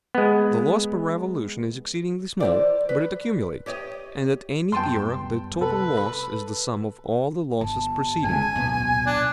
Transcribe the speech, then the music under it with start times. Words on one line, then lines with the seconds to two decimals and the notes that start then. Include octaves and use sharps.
The loss per revolution is exceedingly small, but it accumulates, and at any era the total loss is the sum of all the losses preceding it.
0.15 G#3 B3
2.40 E3 C5 D5
2.89 B4
3.66 G4 C#5 D#5
4.72 F#2 G3 B3 G5 A5 C6
5.61 C2 A4 B4
5.97 B5
7.61 G1 A5
8.24 G#1 G#2 C#3 G#5
8.56 D1 B1 A#2 B3
9.06 D4 D5